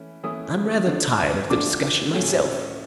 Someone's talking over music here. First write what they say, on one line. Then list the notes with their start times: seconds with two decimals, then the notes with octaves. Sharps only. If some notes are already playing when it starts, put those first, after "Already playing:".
"I'm rather tired of the discussion myself."
Already playing: E3 A3 C#4 E4
0.23 E3 A3 C#4 E4 D#6
0.86 D3 F3 A3 D4
1.50 D3 F3 A3 D4 D6
2.14 A2 F#3 A3 C#4